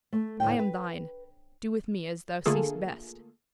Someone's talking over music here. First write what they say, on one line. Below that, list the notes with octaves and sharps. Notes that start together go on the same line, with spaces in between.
"I am thine; do with me as thou seest best!"
A3
D2 A2 G5
B4
D3 A3 A#3 F4 G#4 A4